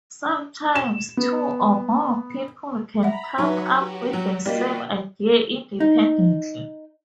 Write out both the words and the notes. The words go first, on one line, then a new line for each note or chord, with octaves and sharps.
Sometimes, two or more people can come up with the same idea independently.
E7
B3
E5 F#5 A#5 B5
F#3 D#4 F#4 B4 C#5 E5
F#4 G4
F#3
G3 A#3 F4 F#4 D5 D#5
D#4